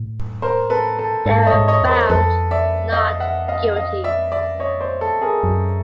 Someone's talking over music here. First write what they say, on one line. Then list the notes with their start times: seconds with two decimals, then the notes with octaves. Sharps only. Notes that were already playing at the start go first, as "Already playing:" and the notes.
They were found not guilty.
Already playing: A2
0.42 A#4 C5
0.70 A4 B4
0.99 A4
1.26 G#2 A4
1.42 E5
1.47 G2 C#5 D#5
1.54 G#2
1.68 C#5 D#5
1.81 E2
1.88 A#4 C5
2.10 F2 A4 B4
2.51 D5 E5
2.92 D#5 F5
3.20 E5 F#5
3.48 D#5 F5
3.76 D#5 F5
4.04 D5 E5
4.32 D5 E5
4.60 C#5 D#5
4.81 C5 D5
5.01 A4
5.22 G#4 A#4
5.43 F#2